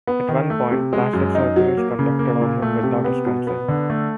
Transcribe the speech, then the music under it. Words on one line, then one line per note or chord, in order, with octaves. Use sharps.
At one point plastic surgery is conducted on him without his consent.
B3
D#3
A3
C3
G#3
F#2
D#4
F#3
A#3
C#3
A#3
A#2
A3
C3
B3
B2
B3
D3
A3